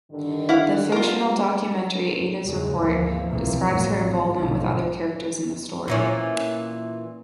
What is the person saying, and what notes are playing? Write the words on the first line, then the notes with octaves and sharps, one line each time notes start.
The fictional documentary "Ada's Report" describes her involvement with other characters in the story.
G2 D3 D#3
E4 F5 F#5
G3 B3 F4 A#4
E2 G#2 C#3 G#3
G#1 D2 E3 F3 A#3
F1 B1 C3 E3 F3 A#3
A1 F2 F#3 G3 A#3
G#1
B1 G#2 B2 D3 F3
A#2 E3 C#4